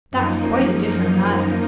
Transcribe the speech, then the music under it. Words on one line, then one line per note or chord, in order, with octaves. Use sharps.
"That's quite a different matter."
F#2 F3 A#3 D#4